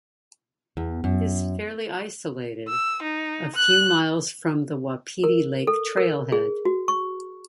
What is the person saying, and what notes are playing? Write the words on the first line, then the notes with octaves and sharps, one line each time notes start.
It is fairly isolated, a few miles from the Wapiti Lake Trailhead.
E2
F#2
E6
D#4
F#6
A#4
A4
A#4
G#4
F#4
C#6